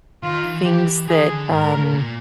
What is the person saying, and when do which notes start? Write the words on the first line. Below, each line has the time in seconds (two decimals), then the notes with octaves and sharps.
things that, um
0.23 D#3 F4
0.44 E3
0.65 E3 G4
1.08 E3 G#4
1.29 D3
1.50 G#2 A#4
1.71 A2
1.92 A#2